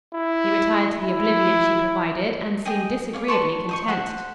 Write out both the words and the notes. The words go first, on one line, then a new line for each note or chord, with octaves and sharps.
He retired to the oblivion she provided and seemed disagreeably content.
E4
E4
G#4 D#5 G5 D#6
C#5 F5 D6
B4 A5 C6 C#6
C5 D#5 C#6
A4 C5 F#5